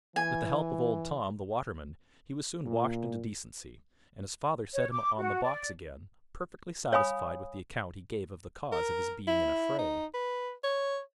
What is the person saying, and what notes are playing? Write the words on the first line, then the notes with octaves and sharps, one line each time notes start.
With the help of old Tom, the waterman, he was soon washed into decency, and his father set him on the box again, perfectly satisfied with the account he gave of the cause of his being in a fray.
E3 G#5
A#2
C#5
D6
F#4
D5
C#5 F5 G#5 B5 D#6
A#4
E4
D#4
B4
C#5